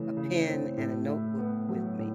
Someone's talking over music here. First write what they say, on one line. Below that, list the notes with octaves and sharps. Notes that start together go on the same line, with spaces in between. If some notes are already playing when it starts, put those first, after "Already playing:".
a pen and a notebook with me
Already playing: C#3 E3 A3
C#3
C4
A2
E4
B3
F#3
A2